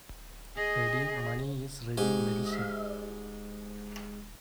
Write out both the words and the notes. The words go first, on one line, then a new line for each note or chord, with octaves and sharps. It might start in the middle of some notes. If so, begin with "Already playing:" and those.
Ready money is ready medicine.
G#4 D#5
G#2 G4 G#5